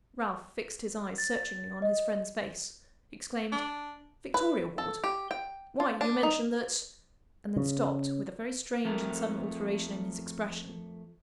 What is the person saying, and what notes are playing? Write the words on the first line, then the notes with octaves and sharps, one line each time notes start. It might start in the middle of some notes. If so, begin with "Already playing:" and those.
Ralph fixed his eyes searchingly on his friend's face; exclaimed: "Victoria Ward! why you mentioned that--;" and then stopped, with a very strange and sudden alteration in his expression.
A6
D#5
D4
B4
A4
G4
G5
F4
D4
D#4
C#3
F2 A3 A#4